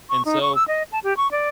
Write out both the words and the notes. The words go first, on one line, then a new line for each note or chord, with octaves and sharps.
And so
C#6
D#4
C#6
E6
D#5
A5
G4
C#6
D5